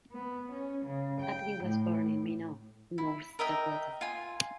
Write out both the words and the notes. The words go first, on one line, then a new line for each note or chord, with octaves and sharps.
Abney was born in Minot, North Dakota.
B3
C#4
C#3
G5
A2
E4
A#4 D#5 E5 G5
F4 G#5